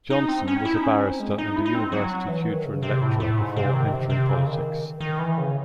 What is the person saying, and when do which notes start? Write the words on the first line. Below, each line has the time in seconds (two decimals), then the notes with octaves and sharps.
Johnson was a barrister and a university tutor and lecturer before entering politics.
0.10 D#4
0.28 C4
0.48 C#4
0.65 E4
0.75 D#4
0.83 C#4
1.02 C4
1.20 G#3
1.38 D#4
1.56 E4
1.66 D#4
1.75 C4
1.92 F#3
2.28 E3
2.47 D#3
2.65 C#3
2.83 C3
3.01 A2
3.20 A2
3.38 G#2
3.56 C3
3.74 D#3
3.92 C3
4.10 C3
4.29 C#3
4.47 D#3
5.01 D#3
5.19 E3
5.38 C#3